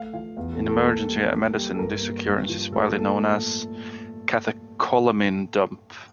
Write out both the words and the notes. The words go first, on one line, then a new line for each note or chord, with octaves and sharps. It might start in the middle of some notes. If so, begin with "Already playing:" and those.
In emergency medicine, this occurrence is widely known as "catecholamine dump".
Already playing: A3 F5
F3 F5
E2 F5
A4
A3
A4
A#3
G3
A#3
G3
A4
G2 A#4
A#3
G2
F3
A2 A4
A#3 A4